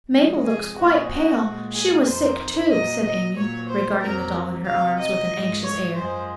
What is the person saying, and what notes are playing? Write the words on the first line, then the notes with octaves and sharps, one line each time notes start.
"Mabel looks quite pale; she was sick, too," said Amy, regarding the doll in her arms with an anxious air.
C3 F3 G#3
G#4
A#2 F3 G#3 F#4
F#4
A#2 G#3
G#4
F2 C3 D#3 C5
A#2 F#3 D#5
D#5
A#2 F#3 C#5
C5
F2 C3 F#3 A#4
C3 F#3 F5
D#5
G#2 F3 G#3
C#5
F#2 F3 G#3 C5